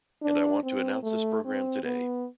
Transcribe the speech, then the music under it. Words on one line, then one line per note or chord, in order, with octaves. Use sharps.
And I want to announce this program today.
D4
C4
A3
C4
B3